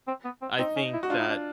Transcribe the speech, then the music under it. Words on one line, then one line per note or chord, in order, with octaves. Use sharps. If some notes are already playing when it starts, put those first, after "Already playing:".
I think that,
C4
B3
C4
C4 D#4
C#4
E4
F#4
D4 F4
D#4
D4